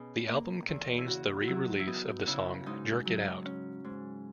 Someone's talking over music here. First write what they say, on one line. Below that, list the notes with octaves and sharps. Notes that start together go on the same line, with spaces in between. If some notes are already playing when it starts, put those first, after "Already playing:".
The album contains the re-release of the song Jerk It Out.
Already playing: B2 C#4 G#4
A#3
E2
E4
C#3 F#4
F#4
F#3 E4
E4
B3 D#4
F#4
C#3 E4
G#2 D#4
F#3
C#4
G#2